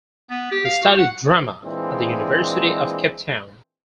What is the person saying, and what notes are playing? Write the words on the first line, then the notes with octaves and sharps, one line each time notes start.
He studied drama at the University of Cape Town.
B3
G4
F5
F#4
F#5
A#2 E3 G#3 C4 D4